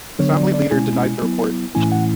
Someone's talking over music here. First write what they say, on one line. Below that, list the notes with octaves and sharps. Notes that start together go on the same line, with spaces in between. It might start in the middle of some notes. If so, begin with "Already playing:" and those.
The Family Leader denied the report.
D3 F#3 B3 D4 C#5
D5
D5
B2 G#3 C#4 E4 G#5
F#3 B3 E4
A2 E3 A3 C#4 E4 G#5
F#5